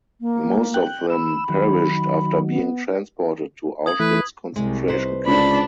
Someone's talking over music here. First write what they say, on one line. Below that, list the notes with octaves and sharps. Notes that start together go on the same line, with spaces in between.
Most of them perished after being transported to Auschwitz concentration camp.
A#3
G5 F#6
B5 E6
D#3 F#3
B3
D#6 G#6 F#7
E3 A3 B4
C2 G#3
D#4 B4 C5
C#2 D4 B5